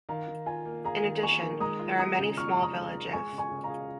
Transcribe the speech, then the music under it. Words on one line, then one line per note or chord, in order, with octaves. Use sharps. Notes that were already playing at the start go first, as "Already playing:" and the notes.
In addition, there are many small villages.
D#3 F5 A#5
D#3
F4 G#5
A#3
G#4 F5 A#5
D#3
A#3 G#5 C#6
D#3
G#3 A#5 D#6
F4
F4 A#5 D#6
C#3
F4 C#6 F6
C#3
A#5 D#6
G#3
G#3
G#3 G#5 C#6
C#3
G#5 C#6
C#3
F5 A#5
G#4